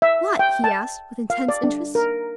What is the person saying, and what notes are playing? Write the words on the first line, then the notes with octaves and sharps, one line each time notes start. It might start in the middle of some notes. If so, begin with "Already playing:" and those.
"What?" he asked, with intense interest.
E5
G5
A5
F5
D5
D4
A#4